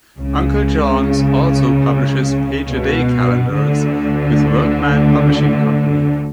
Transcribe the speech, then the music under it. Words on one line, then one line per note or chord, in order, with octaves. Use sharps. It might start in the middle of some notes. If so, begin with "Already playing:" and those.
Uncle John's also publishes Page-a-Day calendars with Workman Publishing Company.
C#2 C#3
B2
D2 D3